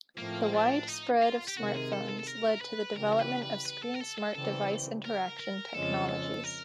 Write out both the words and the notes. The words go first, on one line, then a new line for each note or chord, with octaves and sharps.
The wide spread of smartphones lead to the development of screen-smart device interaction technologies.
A2 F3 A3 A#3 C4
D4
D#4
F4
G4
C3 D#3 G#3 F#4
G#4
A4
A4
A4
A#4
B4
C#3 E3 G3 A#4
A#4
B4
B4
B4
A4
A#4
A4
A4
C#3 E3 G3 C4 A4
A#4
A#4
F2 C#3 F3 G#3 C#4 A4
A4
A#4